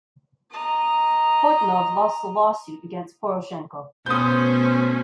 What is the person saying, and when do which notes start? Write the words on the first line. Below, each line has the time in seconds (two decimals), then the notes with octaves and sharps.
Portnov lost the lawsuit against Poroshenko.
0.51 D#5 A#5
4.06 B2 A3 C#4 C5 D#6 G6